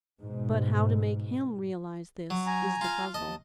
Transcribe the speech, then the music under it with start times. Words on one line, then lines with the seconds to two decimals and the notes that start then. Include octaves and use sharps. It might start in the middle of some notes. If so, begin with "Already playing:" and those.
But how to make him realise this, is the puzzle.
0.21 G#2 B2
2.30 F#3
2.47 G#5 A#5
2.81 F4 F5
3.14 D#2 D#5 A5